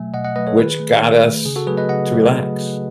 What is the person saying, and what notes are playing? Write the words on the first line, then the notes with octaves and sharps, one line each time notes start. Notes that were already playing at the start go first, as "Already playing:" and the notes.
which got us to relax,
Already playing: B2 F#3 A3 E5 G#5
B2 D#5 F#5
D#5 F#5
F#3 A3 B4 D#5
A4 C#5
D#3 G#4 B4
A3
D#3
A3
C#3 G#4
F#4 A4
F#3 A3 G#4 B4
B4 D#5
C#3 D#5 F#5
F#3 A3